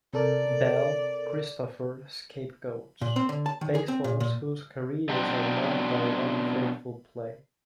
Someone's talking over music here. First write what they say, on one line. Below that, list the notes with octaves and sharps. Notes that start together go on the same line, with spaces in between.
Bell, Christopher, Scapegoats: Baseballers Whose Careers Are Marked by One Fateful Play.
C3 A4 A#4 D5
A#2
C4
D3
A5
D#3
G#4
C4
A#2
A#2
B2 F#3 C4 D4 G4